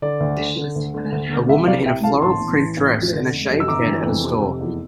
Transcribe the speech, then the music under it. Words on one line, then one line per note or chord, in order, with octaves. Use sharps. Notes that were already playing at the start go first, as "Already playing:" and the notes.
A woman in a floral print dress and a shaved head at a store.
D3 D5
D2
D3
D3
D2
D3
D2
D3
C2 E5
C3 D5 F5
C2 E5 G5
C2 F5 A5
A1 A5 C6
A1
E3
A1
F1
D3
F1
F1
E6
G1 A#5 D6
E3
F2
C3
F1
E2